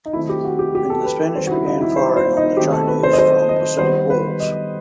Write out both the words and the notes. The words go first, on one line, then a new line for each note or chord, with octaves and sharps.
The Spanish began firing on the Chinese from the city walls.
D#4
D#3 A3 C4 E4
G4
F#4
G4
G4
A4
B4
D#3 G3 C4 C5
F#4
E4
D#4
E4
C5
C5
D#4
D#3 A3 C4 G4
A4
B4
C5
D#5
C5
D#5
D#3 G3 B3 C5
B4
D#5